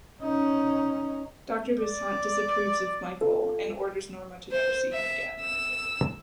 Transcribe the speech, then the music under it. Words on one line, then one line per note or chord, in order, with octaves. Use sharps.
Doctor Besant disapproves of Michael and orders Norma to never see him again.
C#4 D#4
D5
F4 A4
C5
E5
E6